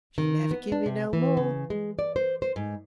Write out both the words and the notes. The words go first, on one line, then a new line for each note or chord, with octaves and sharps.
"She never give me no more."
D#3
B3
D4
C3
E3
C#3
G#3
D5
C5
C5
G#2